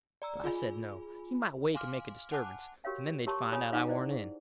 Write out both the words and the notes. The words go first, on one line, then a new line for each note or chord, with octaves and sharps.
But I said no; he might wake and make a disturbance, and then they'd find out I warn't in.
D5 A#5 E6
F4 G#4 G#5 B5
F5 G#5 C6 D6 F6
F#5 G#5 A5 D6 F#6
F#4 G4 A#4 C#5 F5 G5
G4 A#4 C#5 A5 C6 C#6
F4 G#4 C#5 G#5 D#6
D#4 F5 F#5 D6
E4 C5 D5
G#4